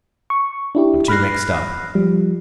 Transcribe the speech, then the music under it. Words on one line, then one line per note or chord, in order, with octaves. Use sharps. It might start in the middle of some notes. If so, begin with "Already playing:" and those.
I'm too mixed up.
C#6
D4 E4 G4
B5 F6 F#6 A#6 C7
F3 G3